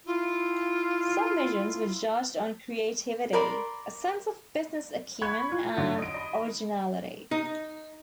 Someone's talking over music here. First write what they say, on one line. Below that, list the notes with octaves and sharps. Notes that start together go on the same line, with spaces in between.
Submissions were judged on creativity, a sense of business acumen and originality.
E4 F4
A#4 D5 B5 C6
B5 C#6 F#6 G#6
F4
D3 D#3 F#3 C#4
D#5 D7
D#5 B5
D#4